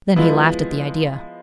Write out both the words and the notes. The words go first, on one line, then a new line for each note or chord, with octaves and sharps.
Then he laughed at the idea.
F3 G#3 B3 E4